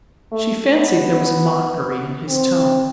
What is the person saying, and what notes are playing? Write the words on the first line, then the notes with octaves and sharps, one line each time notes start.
She fancied there was mockery in his tone.
A3
B3
C4